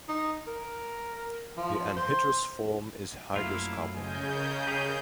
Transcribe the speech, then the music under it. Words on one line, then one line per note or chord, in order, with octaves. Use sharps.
The anhydrous form is hygroscopic.
D#4
A#4
F3
C5
F#2 A3 A#3 E4 F4 F5
C#3 D#5 G#5 G6
A#4
G4 G#4